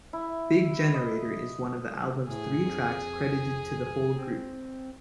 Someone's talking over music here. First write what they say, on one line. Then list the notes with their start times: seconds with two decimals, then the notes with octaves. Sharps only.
"Big Generator" is one of the album's three tracks credited to the whole group.
0.13 E4
0.94 D#5
2.29 A2 G#4
2.63 F2
4.16 C4